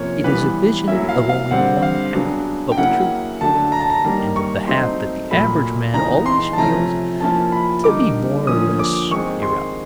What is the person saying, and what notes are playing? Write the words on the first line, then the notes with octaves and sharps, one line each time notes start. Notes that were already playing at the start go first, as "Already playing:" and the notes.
It is a vision of only one-half of the truth, and of the half that the average man always feels to be more or less irrelevant.
Already playing: C3 F3 A#3 C#4 C#5
E3 G3 B3 B4
F#3 A#3 C#4 E4 E5
F5
F5
D3 G3 C4 F#5
F5
C#3 F#3 B3 D4
G5
C#3 F#3 A#3 C#4 E4 F#5
D3 F#3 A3 D4 A5
A#5
A5
A#5
D#3 G3 A#3 C#4 A#5
C#6
F#3 A3 C4 D#4 C6
A#2 F#3 A3 B5
C#3 E3 G#3 B3 D#4 A#5
C6
A5
C3 F3 A3 C#4 A#5
F3 A#3 C#4 E4 A5
B5
D3 G3 A#3 D#4 D6
D3 F3 A#3 C#4 D#6
D6
D#3 G#3 C4 C#6
C6